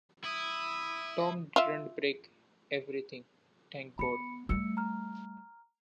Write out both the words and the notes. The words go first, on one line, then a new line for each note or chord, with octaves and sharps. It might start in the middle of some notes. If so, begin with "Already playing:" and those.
Tom didn't break everything, thank God.
E4 D#6
F4 E5
B3 B5 C#7
G3 A3 E6 C#7
A#5 F6